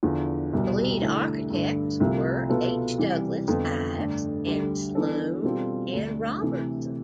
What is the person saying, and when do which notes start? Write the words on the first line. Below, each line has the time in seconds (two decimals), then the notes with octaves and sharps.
The lead architects were H. Douglas Ives and Sloan and Robertson.
0.03 E2 D3 F3
0.53 C2 B2 G3
1.01 D3 A3 E4 A4
1.50 G2 D3 A3
2.00 C2 C3 F3 A3
2.50 B2 B3 F4 A4
2.98 C3 E3 G3
3.48 F2 D3 F3 B3
3.96 G2 D3 A3 D4
4.46 D2 D3 G3
4.95 E3 B3 D4 A4
5.44 B2 G3 C4 F4 A4
5.93 D2 D3 A3 D4
6.42 C3 E3 A3